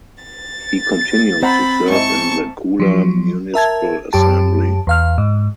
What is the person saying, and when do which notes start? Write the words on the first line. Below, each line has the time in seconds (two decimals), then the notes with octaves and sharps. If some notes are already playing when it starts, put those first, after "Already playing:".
He continues to serve in the Kula municipal assembly.
0.22 A6
1.42 C4 C5 F#5 A#5 B5
1.90 G#2 E4 D#5 A5 C#6
2.80 F3 F#3
3.54 A#4 E5 A5 G#6
4.13 F#2 G4 A5
4.87 E2 F5 F6
5.18 G#2